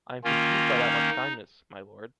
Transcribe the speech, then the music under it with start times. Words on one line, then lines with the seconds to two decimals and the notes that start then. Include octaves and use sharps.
I am confused by that much kindness, milord.
0.24 D#3 A#3 C#4 F4
0.77 D#4